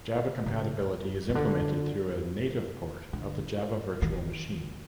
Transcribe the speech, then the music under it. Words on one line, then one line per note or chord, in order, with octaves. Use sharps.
Java compatibility is implemented through a native port of the Java virtual machine.
C#3
C#3
D3
D3
D#3